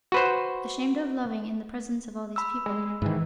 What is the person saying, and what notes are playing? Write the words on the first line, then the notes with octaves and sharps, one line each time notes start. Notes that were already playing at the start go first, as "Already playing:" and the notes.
Ashamed of loving in the presence of all these people.
F#4 B4 C5
B5 E6
G#3
G#2 D#3 E3